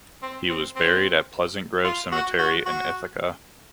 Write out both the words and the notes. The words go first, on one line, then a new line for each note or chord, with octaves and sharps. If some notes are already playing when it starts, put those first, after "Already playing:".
He was buried at Pleasant Grove Cemetery in Ithaca.
C4
C4
C4
F4
F#4
F#4
F#4